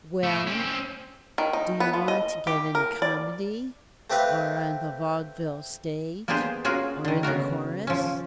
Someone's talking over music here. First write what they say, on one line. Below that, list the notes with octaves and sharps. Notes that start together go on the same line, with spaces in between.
"Well, do you want to get in a comedy or on the vaudeville stage or in the chorus?"
A3 E4
C4 C#4
D#3
D#4
B3
F3
D#5
G4
A#4
D5
A3 C4 G4 B4 F5
A#3 B3 D4 G4 G#4 C5
C#4 F4 F#4 G#4 A#4
D3 D#3
C#3 B3 F#4 A#4
F3 C#4